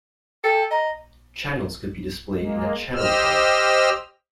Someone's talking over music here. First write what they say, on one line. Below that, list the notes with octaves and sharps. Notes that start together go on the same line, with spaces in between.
Channels could be displayed in a Channel Bar.
A4 G5
D#5 A#5
G#3 A#3
G4 C5 D#5 E6 F6